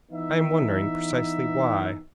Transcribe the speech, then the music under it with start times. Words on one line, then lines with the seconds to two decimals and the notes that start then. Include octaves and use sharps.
"I am wondering precisely why."
0.12 E3 B3 D#4 E5